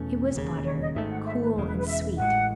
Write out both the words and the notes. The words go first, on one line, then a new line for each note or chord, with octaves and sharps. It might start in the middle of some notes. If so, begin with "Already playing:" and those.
It was butter, cool and sweet.
Already playing: E2 B2 A3 C#4
E1 D#2 C#3
C#5
D#5
G#1 G#2 D#3 A3 E5
F#5
E5
B4
E1 E2 C#3 G#3
B4
B4
E5
A1 A2 G#3 F#5